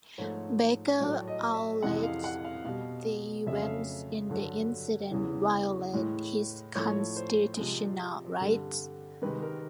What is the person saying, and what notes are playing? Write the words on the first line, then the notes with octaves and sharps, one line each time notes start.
Baker alleges the events in the incident violated his constitutional rights.
G#2 F3 A3 C#5
A2 F#3 A3 D5
D#5
E5
F2 C3 E3 G#3 F#5
F5
F#5
F5
B2 G3 F5
F2 C#3 F#3 A3 E5
F5
E5
G2 D3 F#3
E2 C#3 E3
A2 E3 G#3
A2 F3 A3 C#5
C5
C3 F3 G#3
G2 D3 G3
C3 D#3 G#3 B4
A#4